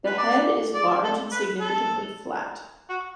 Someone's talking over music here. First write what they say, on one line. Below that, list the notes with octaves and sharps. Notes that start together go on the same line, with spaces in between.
The head is large and significantly flat.
B4
D5
D5
A4
B4
A4
F#4